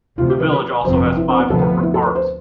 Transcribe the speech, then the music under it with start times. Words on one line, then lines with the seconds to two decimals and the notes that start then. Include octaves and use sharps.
The village also has five corporate parks.
0.18 D2 C3 F3 F4
0.30 G4
0.40 B4
0.52 B4
0.84 G1 F2 C3 F3 C4 C5
0.95 B4
1.06 B4
1.17 E4
1.29 C4
1.40 B3
1.50 D2 C3 F3 B3 A4
1.61 B4
1.83 E4
1.94 A4
2.06 B4
2.15 C5